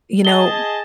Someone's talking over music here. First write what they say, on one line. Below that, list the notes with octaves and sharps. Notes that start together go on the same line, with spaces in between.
you know,
G#4 D#5 A5 G7